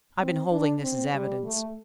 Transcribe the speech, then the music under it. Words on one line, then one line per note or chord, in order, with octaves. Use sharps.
I've been holding this as evidence.
C4
D4
C4
G3
A3